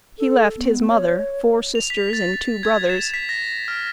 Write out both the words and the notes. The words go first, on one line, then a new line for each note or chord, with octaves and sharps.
He left his mother, four sisters and two brothers.
A4
B3
C#5
F7
B6
A6
B6
G#6
E7
B6
A#6
F6